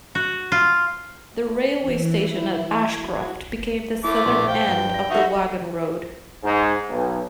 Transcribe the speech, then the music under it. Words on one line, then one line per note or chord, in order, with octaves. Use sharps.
The railway station at Ashcroft became the southern end of the wagon road.
F#4
F4
E3
E4
G#6
F#4
A3 E4 D6
A#1 A2 C6
C5 F5 G5
G2
A#6
D#4 F#4 A4 D#5 E5
G#2
B1